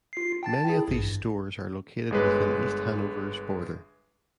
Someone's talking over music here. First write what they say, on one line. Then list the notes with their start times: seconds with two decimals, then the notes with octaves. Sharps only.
Many of these stores are located within East Hanover's border.
0.13 F4 C7
0.43 G5 A5 A6
0.67 E4 G#4
0.88 A1 G2
2.11 G1 G#3 B4